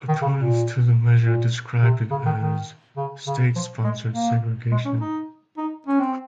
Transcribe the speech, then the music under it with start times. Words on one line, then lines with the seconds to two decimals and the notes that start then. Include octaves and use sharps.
Opponents to the measure described it as "state-sponsored segregation".
0.08 D#3
0.22 C#3
0.37 A#2
1.23 A#2
1.82 C3
2.11 C#3
2.26 D#3
2.40 D#3
2.97 C#3
3.27 C#3
3.56 F3
3.84 G#3
4.13 A#3
4.71 G#3
4.85 C#4
5.00 D#4
5.57 D#4
5.86 C#4
6.00 C4